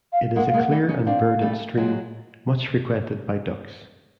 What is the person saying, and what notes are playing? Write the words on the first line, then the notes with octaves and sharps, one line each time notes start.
It is a clear and verdant stream, much frequented by ducks.
F5
G#3 A#3 F#5
F5
G#3 A#3
F#5
G3 A3
C#4 D#4
C4 D4 F5
G3 A3
F#3 G#3